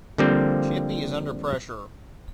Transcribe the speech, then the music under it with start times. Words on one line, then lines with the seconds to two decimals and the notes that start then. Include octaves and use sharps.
Chippy is under pressure.
0.18 D3 F3 G3 A#3 C4